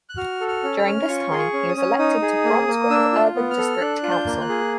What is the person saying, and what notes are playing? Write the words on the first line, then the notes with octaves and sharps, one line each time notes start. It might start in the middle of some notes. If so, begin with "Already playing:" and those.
During this time he was elected to Bromsgrove Urban District Council.
F#6
F#4 F6
A4
F6
C#4
F6
C#4
F4 C#6
G#4 C6
C#6
C#4
D#6
C#4
D#4 D#6
G#4
A#3
A#3
D4 E6
F4
B3
F6
A4
D4 F#6
F4
G6
A#3
F#6
G#4